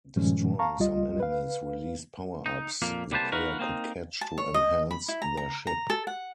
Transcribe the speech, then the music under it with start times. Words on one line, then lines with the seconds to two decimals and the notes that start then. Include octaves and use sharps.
Destroying some enemies released power-ups the player could catch to enhance their ship.
0.16 G2 A#2 D#3 F3 G#3 C#4
0.59 F5 A5 A#5 C#6
0.79 C#2 G3 F4 D#5
1.20 B4 F5
2.46 D#4
2.82 F2 A#2 A#3
3.11 C2 G3 A#3 B4 C5 A5
3.32 D#4 F4 F#4 A#4 B4
3.59 A#3 C4 D#4
4.21 A5
4.38 C#5
4.54 D#5
4.91 B5
5.08 E4
5.22 A#5
5.37 A#5
5.67 A#5
5.90 A4
6.07 F#5